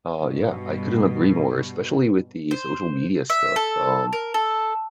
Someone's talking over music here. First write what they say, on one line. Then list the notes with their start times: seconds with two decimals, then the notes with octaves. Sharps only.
Uh, yeah, I couldn't agree more, especially with the social media stuff, um,
0.20 G2 B2
2.51 C5
3.30 E5
3.56 A4
4.13 A#4
4.34 A4